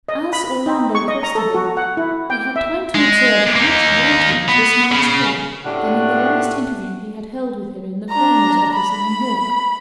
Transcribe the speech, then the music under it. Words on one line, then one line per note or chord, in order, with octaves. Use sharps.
As Orlando crossed to him, he had time to observe how much whiter was this man's head than in the last interview he had held with him in the coroner's office in New York.
D#5
B5
D#4
C#6
D#5
A#5
A4
F#4
F#5
E4
G5
E5
G#3
A#3 D#4
B3
C#3
A2 C3 D4 E4 F#4 F#5
D4 A#5
B5